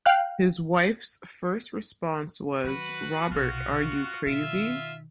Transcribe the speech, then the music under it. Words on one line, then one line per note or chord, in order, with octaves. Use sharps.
His wife's first response was, Robert, are you crazy?
F5 G5 F6 F#6
D#3 F#3 F#4 B4
B1 C3 F4 F#4
B2 D#3 F4 E5